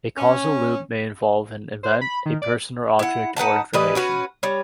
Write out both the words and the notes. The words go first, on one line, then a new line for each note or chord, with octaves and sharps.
A causal loop may involve an event, a person or object, or information.
C#4
C5
B5
D#3
D5
E4 F#5
D#4 B4 F#5 A5
E3 G3 B4 D#5
C#4 F#4 B4
G3 C#4